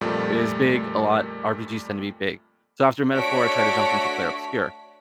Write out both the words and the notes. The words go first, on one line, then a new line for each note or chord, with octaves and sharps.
It was big, a lot RPGs tend to be big. So after Metaphor, I tried to jump into Clair Obscur,
F2 A#2 G3 A3
A3 D4 F#4 C#5 B6 D7